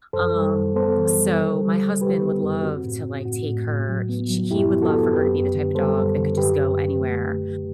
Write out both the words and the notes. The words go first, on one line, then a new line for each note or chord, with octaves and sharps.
Um, so my husband would love to, like, take her he she he would love for her to be the type of dog that could just go anywhere.
F#2 A4 C5
G3
F#2
B3 A4 C5
E3
G3
D3
G3
G3
D3 G4 B4
B3
F#2
C4 F#4
A2
C4
A2 F#4
A2
A2
F#3
B3
F#3
F#2 E4 G4
B3
F#4 A4
B3
F#2 G4 B4
F#2
D3
G3 A4 C5
F#2
D3
F#2 G4 B4
F#2
F#2
A3
A3
F#2